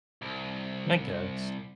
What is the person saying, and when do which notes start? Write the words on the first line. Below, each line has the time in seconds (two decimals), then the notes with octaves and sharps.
I guess.
0.22 C2